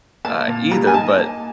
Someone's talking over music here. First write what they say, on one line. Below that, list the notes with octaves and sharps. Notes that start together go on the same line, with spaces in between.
uh, either, but
A#3 A5
A#2
G3 A#5
G#5
D#4 A5
A#3